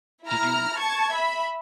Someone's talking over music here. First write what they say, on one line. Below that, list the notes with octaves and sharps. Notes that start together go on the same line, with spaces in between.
did you
E4 A#5 F6
A5 C#6 G#6
E5 B5